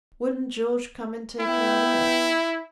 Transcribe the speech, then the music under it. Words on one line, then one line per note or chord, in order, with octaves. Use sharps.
Wouldn't George come and take her away.
B3 E4 G5